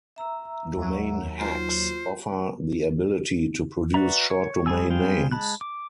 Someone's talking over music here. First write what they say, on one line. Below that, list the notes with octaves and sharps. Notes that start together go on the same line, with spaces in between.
Domain hacks offer the ability to produce short domain names.
E5 A#5 E6
D#2 F#3
F4 C5
F#4 B4 D5 E5 A#5
C#5 C#6
F3 G3 G#4 G#5 E6
G3 C4 G#4 F5 G5
G#3 A5 B5 F#6
D6